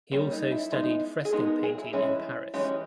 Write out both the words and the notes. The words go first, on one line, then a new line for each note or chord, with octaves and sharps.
He also studied fresco painting in Paris.
G3 A#3 C#4 G4
D#4
E4
G#3 B3 D#4
G#4
G#3 B3 D#4 G4
A#4
G#4
E4
E3 G#3 C#4 E4
E3 G#3 C#4 G4